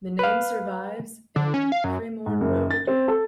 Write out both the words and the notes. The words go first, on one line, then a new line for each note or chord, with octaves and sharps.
The name survives in Cremorne Road.
B4 F5
D3
C#4
F5
F#2
G#2
F#1
A6
C4
A4